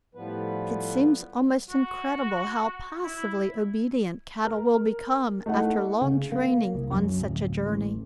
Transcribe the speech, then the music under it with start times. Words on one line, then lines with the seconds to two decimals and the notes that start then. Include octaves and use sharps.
It seems almost incredible how passively obedient cattle will become after long training on such a journey.
0.15 A2 F3 G3 B3 B4
1.70 F#4
3.04 E4
4.45 A#4
5.46 A3 D#4 E4 F#5
6.01 C#3
6.32 A#3
6.74 C2
6.91 F#2
7.20 D1
7.66 A1